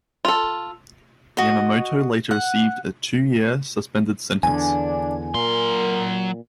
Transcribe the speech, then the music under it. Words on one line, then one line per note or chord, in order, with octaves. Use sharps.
Yamamoto later received a two-year suspended sentence.
F4 A4
F#4 D#5
F#5
E2 D3 D4 G#5
A#2 F#3 A#4 C6